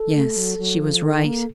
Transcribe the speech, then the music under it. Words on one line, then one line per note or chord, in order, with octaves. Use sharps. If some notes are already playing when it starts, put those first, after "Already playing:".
Yes, she was right.
Already playing: A4
A3
F#3
F#3
F3
D#3
A#3